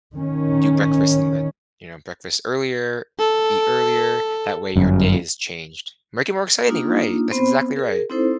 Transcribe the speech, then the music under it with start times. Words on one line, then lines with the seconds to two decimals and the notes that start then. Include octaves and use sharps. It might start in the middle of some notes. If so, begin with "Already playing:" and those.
do breakfast and then you know, breakfast earlier or eat earlier. That way your day is changed. Make it more exciting, right. That's exactly right.
0.15 D#3 C#4
3.19 A4
4.76 G1 F#2
6.68 A#3 D4 D#4 F4
7.31 B3 C4 C5 B5
7.76 G#4 A#4
8.10 C4 D#4 E4 A4 C5